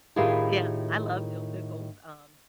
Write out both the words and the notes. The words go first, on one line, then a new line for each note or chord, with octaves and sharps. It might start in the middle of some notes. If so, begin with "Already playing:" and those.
Yeah, I love dill pickles. Um,
A2 D#3 E4 F4 G4 G#4